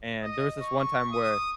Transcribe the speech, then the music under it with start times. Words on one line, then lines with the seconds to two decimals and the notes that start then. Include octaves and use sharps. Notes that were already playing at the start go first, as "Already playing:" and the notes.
and there was this one time where,
0.22 D#5
0.62 C#6
1.13 D#6